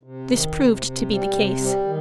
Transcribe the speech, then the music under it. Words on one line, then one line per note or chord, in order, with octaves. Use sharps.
This proved to be the case.
C3
D#3
C3
C3
G3
C3
G3
D#3